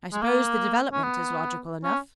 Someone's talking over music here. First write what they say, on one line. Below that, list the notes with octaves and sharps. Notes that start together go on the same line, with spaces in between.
I suppose the development is logical enough.
G#3
A#3
C#4
B3
C#4